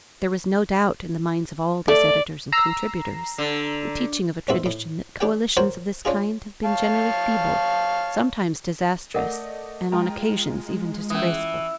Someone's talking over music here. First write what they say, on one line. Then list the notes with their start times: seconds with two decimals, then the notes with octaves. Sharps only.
There was no doubt, in the minds of all these editors and contributors, the teaching of a tradition that coalitions of this kind have been generally feeble, sometimes disastrous, and on occasions even disgraceful.
1.88 A3 D5
2.52 A#5 E6 C7
3.38 D3
4.48 D#2 G#2 B2 C4 F#4 E5
4.66 A2
5.21 D4 G4 G#4 G5
5.57 F#4 A#4 C5 C#5 G5
6.05 C#4 D4 F4 G#4
6.65 C#5 F5 A5
9.14 A3 A#4 D5 D#5 F#5
9.92 G#3 F4 G5 A#5
11.10 E3 C#4 D#6